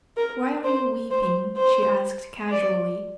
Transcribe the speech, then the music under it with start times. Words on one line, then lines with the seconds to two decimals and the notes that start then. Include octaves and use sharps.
"Why are you weeping?" she asked casually.
0.17 A#4
0.64 C5
1.11 C5
1.57 C5
2.51 D5